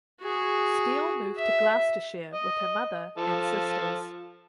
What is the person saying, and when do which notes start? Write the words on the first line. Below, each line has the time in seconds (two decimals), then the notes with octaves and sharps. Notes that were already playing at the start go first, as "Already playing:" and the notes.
Steele moved to Gloucestershire with her mother and sisters.
0.21 F#4 G#4
1.36 E5
2.33 D#5
3.17 F3 A4